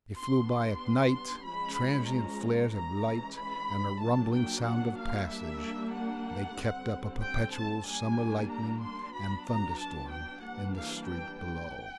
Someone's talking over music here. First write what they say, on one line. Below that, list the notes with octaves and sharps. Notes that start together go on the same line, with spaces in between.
As they flew by at night, transient flares of light and a rumbling sound of passage, they kept up a perpetual summer lightning and thunderstorm in the street below.
G3 B3 D4 C6
C6
F3 G#3 C#4 B5
A#5
E3 G#3 C#4 A#5
B5
F#3 A#3 D4 A5
G5
F#5
F5
G3 A#3 D4 E5
F#5
D3 G3 C4
G5
A5
G3 A#3 D4 G#5
A#5
C6
F#3 B3 D4 B5
A#5
A5
G5
E3 G3 A#3 D4 F#5
F5
G5
G5